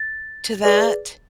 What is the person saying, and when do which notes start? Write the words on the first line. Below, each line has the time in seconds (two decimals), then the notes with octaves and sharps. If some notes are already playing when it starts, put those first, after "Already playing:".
to that.
Already playing: A6
0.64 G#4 B4 D5